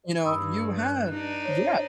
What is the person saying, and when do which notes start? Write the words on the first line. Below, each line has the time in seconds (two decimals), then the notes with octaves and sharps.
You know, you had Yeah,
0.25 G2 B5 D#6 E6
0.78 F#6
1.09 D4 D#4
1.45 C5 C#5